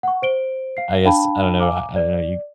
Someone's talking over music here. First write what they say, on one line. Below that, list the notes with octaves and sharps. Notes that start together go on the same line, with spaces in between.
I guess, I don't know I I don't know, you
F#5 C#6
C5 D7 G7
F5 C7
D4 F5 G5 A5 B5
F5 G#5 A#5 D6
D5